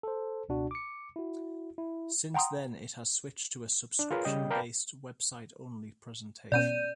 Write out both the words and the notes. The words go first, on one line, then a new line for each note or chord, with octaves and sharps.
Since then it has switched to a subscription-based website only presentation.
A4 C5
C#2 B2 D4 F#4
D6 C#7
E4 F#4
E4
F#5 G5 A#5 C6 D#6
D4
F4 G#4 A#4 B4 C#5
C#3 G3 D#5 G5
A#4 D5 F5 G5 A5 B5
B2 B3 C#4 D5 G6 D#7